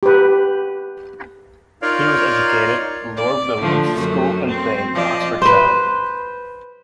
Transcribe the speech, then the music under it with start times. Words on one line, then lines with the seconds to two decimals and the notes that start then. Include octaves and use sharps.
He was educated at Lord Williams's School in Thame, Oxfordshire.
0.03 G4 B4
1.82 D#4 F4 A#4 C#5 D5 F5
3.17 D5
3.60 D3 F3 A3
3.93 F#2 A3
4.47 C4
4.94 F3 D5 D#5
5.42 B4 C5